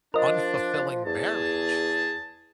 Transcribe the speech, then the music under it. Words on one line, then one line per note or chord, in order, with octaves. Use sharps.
unfulfilling marriage
F3 D4 A#4 D#5
E2 G#4 A5